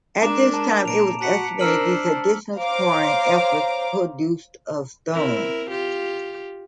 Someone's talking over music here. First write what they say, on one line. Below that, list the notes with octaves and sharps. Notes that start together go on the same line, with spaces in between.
At this time it was estimated these additional quarrying efforts produced of stone.
G#3 D4 A#4 A#5 D6 E7
A5 A#5
A#2 A#5 D7 F7
F#4 F#5 A5 B6 C#7
D4 A#4 C5 E6 F6 F#7
A5
C5 C#5 F5 A#5 D6
C4 E4 A#4
F4 G4